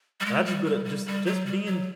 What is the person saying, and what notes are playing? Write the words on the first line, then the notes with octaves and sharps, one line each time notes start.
And I just but, uh, just just being k
G3
G#3
G3
G3
G3
G3
F#3
G3
F#3